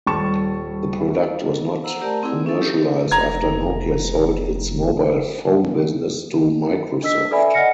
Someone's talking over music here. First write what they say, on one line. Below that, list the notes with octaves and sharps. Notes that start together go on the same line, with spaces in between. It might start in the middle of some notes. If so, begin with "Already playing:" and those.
The product was not commercialized after Nokia sold its mobile phone business to Microsoft.
D#1 G3 A5 C#6 A6 E7
C5 F#5 A#5 E6
A3 G4 A#4 D5 A5 A#5
C4 E4 G#4 G#5
C#4 D4 E4 A4
G4
F1 A#5 G#6
D4 D#5 E6 B6
A4 B4 D5 E5 G#5 B5
D#5 F#5 F6 A#6 C#7